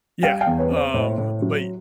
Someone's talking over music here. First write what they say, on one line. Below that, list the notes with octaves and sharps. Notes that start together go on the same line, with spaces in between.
Yeah, um, but y
G3 F5 G5
F5 G5
E2
B4 C#5
C4
C5
A2 C5
A2
F#3